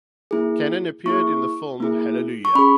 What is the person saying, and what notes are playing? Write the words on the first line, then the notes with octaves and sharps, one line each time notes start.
Cannon appeared in the film Hallelujah!
A#3 E4 G#4
A#3 E4 G#4 C#6
A#3 E4 G#4
C#6
C#4 G#4 B5